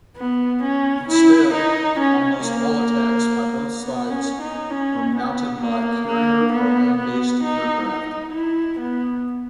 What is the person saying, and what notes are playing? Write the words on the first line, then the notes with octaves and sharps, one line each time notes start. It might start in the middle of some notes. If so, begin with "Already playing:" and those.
Instead, almost all attacks by both sides were mounted by carrier or land-based aircraft.
B3
C#4
E4
D#4
C#4
A#3
B3
C#4
D#4
C#4
B3
A#3
A#3
B3
B3
D#4
D#4
E4
B3